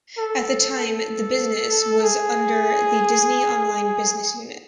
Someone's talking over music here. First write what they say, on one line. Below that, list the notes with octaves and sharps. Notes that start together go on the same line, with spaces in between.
At the time, the business was under the Disney Online business unit.
A4
A4
G#4